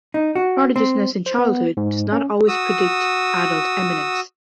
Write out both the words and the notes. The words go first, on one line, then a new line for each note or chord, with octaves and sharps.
Prodigiousness in childhood does not always predict adult eminence.
D#4
F#4
C4
C5
B3
G#2
C#4
F#4 D#6 E6